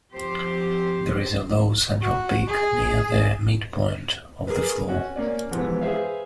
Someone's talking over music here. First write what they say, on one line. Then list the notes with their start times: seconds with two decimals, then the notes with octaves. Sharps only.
There is a low central peak near the midpoint of the floor.
0.12 F3 C4 G4 C5
2.02 F#4
2.48 G#4
4.47 G#4 A#4 B4
4.89 C#4 F#4
5.16 A#3 C#4 D5
5.51 F2 G#2 C3 E3 B3
5.81 G#4 B4 C5 E5 F5